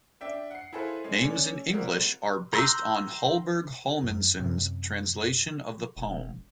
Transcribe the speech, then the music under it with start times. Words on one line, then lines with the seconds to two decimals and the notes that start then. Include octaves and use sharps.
Names in English are based on Hallberg Hallmundsson's translation of the poem.
0.21 D4 E5 G5
0.51 F#5 C7
0.73 E4 G#4 A4 B4 C5 F5
1.04 G#3 C#4
1.23 A3 C#4 D5
1.73 G3 A#3 C4 F4 F#4
2.53 A#5 C6 E6 F#6 G6
4.04 F#2
4.40 F#2 C3
5.97 E1